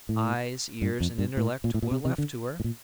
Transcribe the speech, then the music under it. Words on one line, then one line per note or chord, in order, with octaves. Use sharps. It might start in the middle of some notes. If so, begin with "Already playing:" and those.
Eyes, ears, and intellect were left to her.
A2
G2
F2
G2
A2
A#2
A2
A#2
C3
C3
D3
A2
A#2